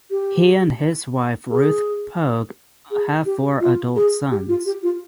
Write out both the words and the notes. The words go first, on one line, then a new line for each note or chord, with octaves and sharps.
He and his wife Ruth Pogue have four adult sons.
G4
G#4
G#4
G4
F4
G#4
G4
F4
G4
F4